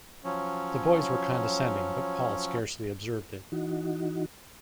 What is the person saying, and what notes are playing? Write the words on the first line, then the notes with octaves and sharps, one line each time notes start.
The boys were condescending, but Paul scarcely observed it.
F3 F#3 C#4
E3 D#4 F#4